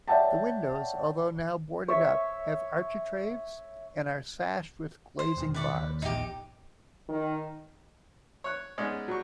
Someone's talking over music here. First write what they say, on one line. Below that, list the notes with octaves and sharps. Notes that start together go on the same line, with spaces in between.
The windows, although now boarded up have architraves and are sashed with glazing bars.
C#5 D5 E5 F#5 G5 A5
C#5 E5
C5
E1 D#3
B4 D5 C#6
D#2
D#1 A#1 E2 D#4 G4
D#3
C#5 F#6
G#3 B3 C#4 D#4 D5
F#3 G3 C#6